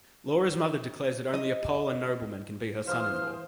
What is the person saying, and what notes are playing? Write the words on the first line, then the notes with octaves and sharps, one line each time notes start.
Laura's mother declares that only a Pole and nobleman can be her son-in-law.
D#5
E3 C5 F5 C6 D#6 F6